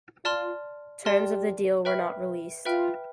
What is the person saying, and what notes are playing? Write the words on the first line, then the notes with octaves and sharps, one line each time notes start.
Terms of the deal were not released.
F4 D5 A5 C6 F6
G4 D5 A5 C6 F6
B4 E5 G5 B5 F6
F4 B4 E5 G5 B5 F6